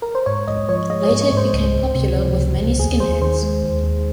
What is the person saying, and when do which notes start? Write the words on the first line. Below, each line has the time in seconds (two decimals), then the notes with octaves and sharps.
Later it became popular with many skinheads.
0.02 A#4
0.15 C5
0.26 G#2 C#5
0.47 G#2 D#5
0.69 F3 C#5
0.90 G#3 D#5
1.06 C#5
1.11 G#2
1.22 C#5
1.32 G#2 C5
1.53 C#2
1.74 C#2
1.95 C3
2.17 F3
2.37 C#2
2.58 C#2
2.79 D#2 G#4
3.00 D#2 C5
3.22 D#3 C5
3.42 G#3
3.63 D#2
3.84 D#2